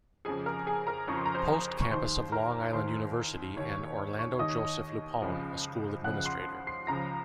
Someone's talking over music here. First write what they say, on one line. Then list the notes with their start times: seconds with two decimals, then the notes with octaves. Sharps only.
Post Campus of Long Island University, and Orlando Joseph LuPone, a school administrator.
0.25 F2 C#3 F3 G#4 G#5
0.46 A#4 A#5
0.67 G#4 G#5
0.87 A#4 A#5
1.07 F2 C#3 F3 C#6
1.17 C6
1.26 A#5
1.35 C5 C6
1.82 C#6
1.90 D#2 D#3 C5 C6
2.32 A#4 A#5
2.73 D#2 D#3 C5 C6
3.57 D#2 D#3 C#5 C#6
4.19 C#5 C#6
4.39 D#2 D#3 D#5 D#6
5.22 C#2 C#3 F3
6.04 C#2 C#3 F3 F#5 F#6
6.26 C6 C7
6.67 C6 C7
6.87 C#2 C#3 F3 A#5 A#6